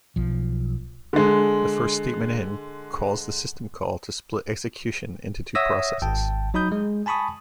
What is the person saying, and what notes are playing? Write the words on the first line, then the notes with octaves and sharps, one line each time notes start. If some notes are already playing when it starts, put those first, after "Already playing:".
The first statement in calls the system call to split execution into two processes.
B1 F3
D3 G#3
C#5 E5 F#5 D#6 E6 A#6
G#1 G5 A5
F#3 D#4 B5 D#6 G6
G#3
G#5 A5 B5 C#6 D#6